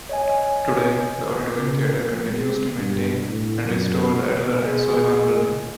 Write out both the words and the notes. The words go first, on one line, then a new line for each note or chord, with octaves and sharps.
Today, the Auditorium Theatre continues to maintain and restore the Adler and Sullivan building.
C#5 D#5 G#5
C#3
A#1
G#3
G2
A2
F#2
G#3